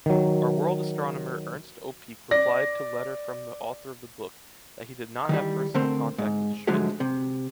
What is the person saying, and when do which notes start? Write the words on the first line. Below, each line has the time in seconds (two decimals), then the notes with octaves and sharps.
Our world astronomer Ernst Öpik replied to letter from the author of the book, that he did not have personal contact with Schmidt.
0.06 D#3 F#3
2.31 D5 A#6
5.29 D#3 E3 G3
5.75 D3 A3 C4 A#4 C5
6.18 G#2
6.67 G#2 D3 F3 F#3 G#3 A3
7.00 C3